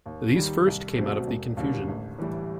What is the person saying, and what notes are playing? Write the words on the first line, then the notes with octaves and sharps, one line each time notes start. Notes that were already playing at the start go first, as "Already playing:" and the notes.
These first came out of the confusion.
D#2
D#3 G3
C2
B2 F#3 A3 C4
E1
D#2 D3 G3
A1
A2 E3 G3